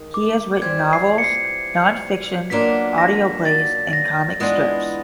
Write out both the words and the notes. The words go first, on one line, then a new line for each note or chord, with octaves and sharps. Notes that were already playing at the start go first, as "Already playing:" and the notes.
He has written novels, non-fiction, audio plays and comic scripts.
Already playing: D#3 G#3
D6
E3 G3 C4 F4 G#6
C7
C#7
C7
B2 F#3 A#3 D4 F4 B6
A#6
A6
A#6
E3 G#3 B3 D4 F4